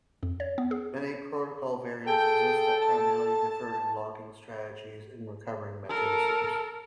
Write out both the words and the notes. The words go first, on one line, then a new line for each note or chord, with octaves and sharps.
Many protocol variants exist that primarily differ in logging strategies and recovery mechanisms.
F2
C#5
B3
G#4
G#4 A4 G5
A5
A4 A#4